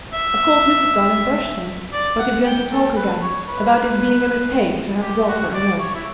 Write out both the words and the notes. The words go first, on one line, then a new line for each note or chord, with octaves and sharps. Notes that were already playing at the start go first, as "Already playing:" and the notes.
Of course Mrs. Darling brushed him, but he began to talk again about its being a mistake to have a dog for a nurse.
E5
D5
F#5
G5
A4
B4
C#5
B4
G4
F#4
D5
C#5
E4